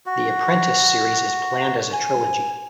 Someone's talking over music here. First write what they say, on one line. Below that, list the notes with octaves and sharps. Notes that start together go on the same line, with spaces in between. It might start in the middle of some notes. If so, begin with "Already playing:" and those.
The "Apprentice" series is planned as a trilogy.
F#4
G#5